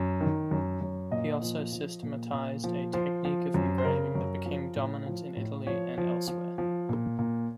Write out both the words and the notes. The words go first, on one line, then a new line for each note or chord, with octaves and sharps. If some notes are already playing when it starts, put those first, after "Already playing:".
He also systematized a technique of engraving that became dominant in Italy and elsewhere.
Already playing: F#2
D#3
F#2
F#2
A#2 D#5
F3
F3
A#2
A#2
F3
F3 C5
F3
F#2
C5
C#3 A#4
F#2
F3
A2
F3
A2
F3 C#5
F3
F3
F3
A#2
A#2